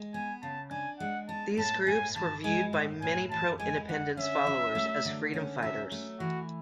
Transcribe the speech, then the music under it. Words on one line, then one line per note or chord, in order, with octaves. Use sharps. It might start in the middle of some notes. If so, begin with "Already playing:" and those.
These groups were viewed by many pro-independence followers as freedom fighters.
Already playing: G#3
B3 G#5
C#3 A5
D4 G#5
G#3 F#5
B3 A5
A2 A5
A2 G#5
E3 A5
G#3 G#5
A2
A2 G#5
E3 A5
G#3 G#5
D3 F#5
C#4 E5
F#3
A3
D3
C#4
F#3 E5
A3
E3 F#4